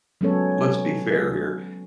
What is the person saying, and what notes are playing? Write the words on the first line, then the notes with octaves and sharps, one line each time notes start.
let's be fair here,
F#3 G#3 B3 C#4 A4 C#5